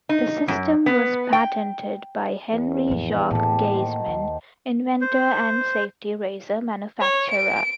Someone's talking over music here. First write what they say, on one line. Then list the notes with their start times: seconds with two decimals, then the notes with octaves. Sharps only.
The system was patented by Henry Jacques Gaisman, inventor and safety razor manufacturer.
0.09 D#4
0.48 F#2
0.86 B3
1.33 G5
2.52 E2
2.87 A1 F2
3.31 A2 A#3 G4 A4 A5
3.71 D#3 C5 F#5
4.06 D#2
5.01 C5
7.01 C#5
7.31 D7